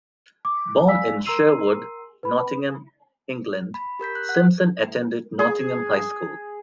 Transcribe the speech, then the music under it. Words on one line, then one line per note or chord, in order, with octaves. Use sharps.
Born in Sherwood, Nottingham, England, Simpson attended Nottingham High School.
D6
D5 F5 G#5 E6 B6
A#4 A#5 C6 E6 C7 D#7
B4 B5
B5
G4 A#4 G6 B6
F#6
F#5 F#6
G#4